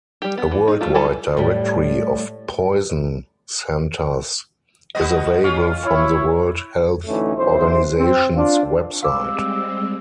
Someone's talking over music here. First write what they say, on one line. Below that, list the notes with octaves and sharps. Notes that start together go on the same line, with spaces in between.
A worldwide directory of poison centers is available from the World Health Organization's website.
G3 G4
B3
E3
D#4
G3 A3 F4
G3 E4 A4 G#5
A2 G3
G3 B3 D#5
C#4 F4
E4 C#5
D2 A2 E3 A3 C#4 D#4
B1 F#2 E3 E4 C5
C4
D4 F4
G3 G#3 C4 F5 D6 E6